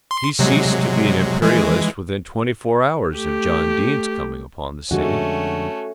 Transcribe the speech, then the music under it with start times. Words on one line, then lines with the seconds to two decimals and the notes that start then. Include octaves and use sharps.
He ceased to be an Imperialist within twenty-four hours of John Dene's coming upon the scene.
0.11 C6
0.39 C3 F#3 G#3
1.42 E3 G#3
3.15 A3 G4
4.91 F2 D3 G#3 A3 C#4 F#4